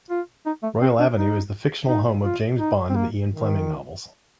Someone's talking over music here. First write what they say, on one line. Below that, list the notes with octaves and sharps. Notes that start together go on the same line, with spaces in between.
Royal Avenue is the fictional home of James Bond in the Ian Fleming novels.
F4
D#4
A3
C4
D4
D#4
D#4
F4
D#4
C4
A#3
D#3